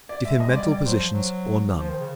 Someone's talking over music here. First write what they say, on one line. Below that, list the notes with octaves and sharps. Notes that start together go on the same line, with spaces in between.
Give him mental positions or none.
D5
G#3 E5
A3
D#5
G#3
G3 D5
D5
F#3 C5
F3
F#3
F3 C5
D#3
C#3